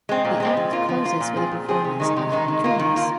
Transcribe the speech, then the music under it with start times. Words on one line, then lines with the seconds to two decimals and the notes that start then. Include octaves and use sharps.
The act closes with a performance of "Dreams".
0.09 G#3 C4
0.25 A#2
0.40 G#3 C4
0.57 F3
0.72 A#3 F4
0.89 F3
1.04 A#3 F4
1.20 A#2
1.36 F3 C4 G#4
1.52 A#2
1.68 F3 C4 G#4
1.84 C3
2.00 D#3 G#3 D#4
2.17 C3
2.32 D#3 G#3 D#4
2.48 D#3
2.64 A#3 F4
2.79 D#3
2.96 A#3 F4